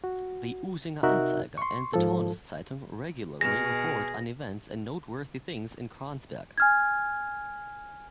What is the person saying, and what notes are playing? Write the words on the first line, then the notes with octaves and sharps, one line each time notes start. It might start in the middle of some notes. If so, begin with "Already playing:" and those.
The “Usinger Anzeiger” and the “Taunus-Zeitung” regularly report on events and noteworthy things in Kransberg.
F#4
C3 D#4 F#4 A#4 E5 F#6
C6 C#6
G#2 F3 A4
B2 G#4 F6 A#6
G#5 F6 G#6